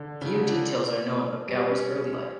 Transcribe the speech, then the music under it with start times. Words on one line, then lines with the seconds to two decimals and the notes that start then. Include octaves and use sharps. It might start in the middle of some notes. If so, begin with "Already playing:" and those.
Few details are known of Gower's early life.
Already playing: D3
0.21 C#3
0.35 D3
0.49 D3
1.49 G3
1.70 C#4